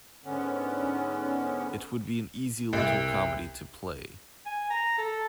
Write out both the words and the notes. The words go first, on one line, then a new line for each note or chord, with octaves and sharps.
It would be an easy little comedy to play.
G#2 D3 B3 C#4
C2
G#5
A#5
A4